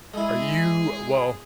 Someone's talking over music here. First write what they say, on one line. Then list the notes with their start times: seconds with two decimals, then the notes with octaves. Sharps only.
Are you well,
0.14 G#3 E4 G#4